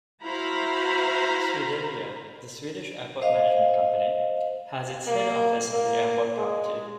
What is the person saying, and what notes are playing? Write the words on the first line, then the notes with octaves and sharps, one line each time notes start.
Swedavia, the Swedish airport management company, has its head office on the airport property.
E4 F#4 C5 F5 A#5 B5
C5 D#5 F5
A#3
A#3
G#3